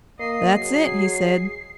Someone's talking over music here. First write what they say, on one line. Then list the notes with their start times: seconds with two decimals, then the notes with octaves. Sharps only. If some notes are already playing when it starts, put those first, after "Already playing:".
"That's it," he said.
0.20 A#3 D#5 C7
0.56 F#3 G#4